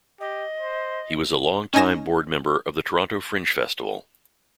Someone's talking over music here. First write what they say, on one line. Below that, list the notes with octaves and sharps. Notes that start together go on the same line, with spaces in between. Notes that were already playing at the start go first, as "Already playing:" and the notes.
He was a long-time board member of the Toronto Fringe Festival.
G4 D#5
C5
C#4 D#4 G#5 A#6 E7